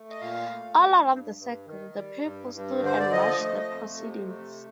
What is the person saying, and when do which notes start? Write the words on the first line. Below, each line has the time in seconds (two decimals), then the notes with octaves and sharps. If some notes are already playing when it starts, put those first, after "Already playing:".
All around the circle, the people stood and watched the proceedings.
Already playing: A3
0.10 D#5
0.21 A#2 F5
0.50 A3
0.79 G3
1.08 G2
1.37 G2
1.66 D#3
1.95 G3
2.24 G2
2.54 G2
2.83 D3 C5
2.99 D5
3.11 F3 D#5
3.40 A3
3.70 F2
3.98 C3
4.28 A3